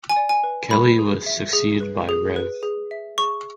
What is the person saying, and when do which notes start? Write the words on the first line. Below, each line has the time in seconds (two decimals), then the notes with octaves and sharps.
Kelly was succeeded by Rev.
0.09 G#5
0.16 D5
0.29 G#5
0.44 B4
0.71 B4 B5
0.99 G#4
1.26 E5
1.53 G#4
1.80 B4
2.09 G#4
2.36 B4
2.63 G#4
2.91 E5
3.18 G#4 C#6